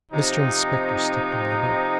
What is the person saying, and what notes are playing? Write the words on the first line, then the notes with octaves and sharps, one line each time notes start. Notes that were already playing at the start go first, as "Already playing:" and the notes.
Mr Inspector stepped into the boat.
C3 F3 C4 D#4